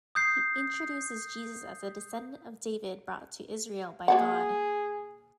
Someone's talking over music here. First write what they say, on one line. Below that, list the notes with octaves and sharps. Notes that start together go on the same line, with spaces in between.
He introduces Jesus as a descendant of David brought to Israel by God.
D#6 G6 C7
A#3 F#4 G#4 F#5